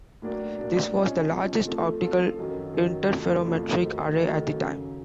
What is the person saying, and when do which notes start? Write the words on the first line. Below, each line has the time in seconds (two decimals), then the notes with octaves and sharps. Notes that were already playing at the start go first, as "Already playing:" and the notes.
This was the largest optical interferometric array at the time.
0.22 A2 F#3 A#3 D4
0.58 A2 F#3 A#3 D4
0.94 C3 F3 G#3 C#4
1.30 C3 F3 G#3 C#4
1.66 F3 A3 C4 F4 A4
2.01 F3 A3 C4 F4 A4
2.38 F#2 D#3 F#3
2.73 F#2 D#3 F#3
3.09 F2 C3 F3 A3 C4
3.45 F2 C3 F3 A3 C4
3.81 D#3 F#3 A3
4.17 D#3 F#3 A3
4.52 F#2 C#3 F#3